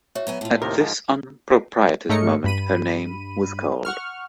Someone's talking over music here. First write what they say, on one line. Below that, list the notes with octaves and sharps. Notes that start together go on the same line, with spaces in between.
At this unpropitious moment her name was called.
F#4 C#5 E5
F#3 B3 G#5
A2 F4
D#2 C3 D#3 A#4
G#2 F3
G#2 A3 D#4 A#4 C#5 C#7
G2 B5 D#7
F#5 C#6 F6